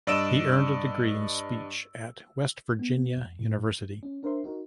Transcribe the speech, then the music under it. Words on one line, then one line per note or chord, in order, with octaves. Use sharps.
He earned a degree in speech at West Virginia University.
G2 D5 D#5 E6 D7 E7
B3
F2
A2
C#4
D4 A#4 C5 E5 C6
D#4 F#4 A#4